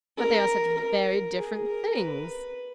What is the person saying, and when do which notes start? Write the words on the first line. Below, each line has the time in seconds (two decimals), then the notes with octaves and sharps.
"But they are such very different things!"
0.17 A#4
0.78 A#4
1.37 G#4
1.68 A#4
1.97 B4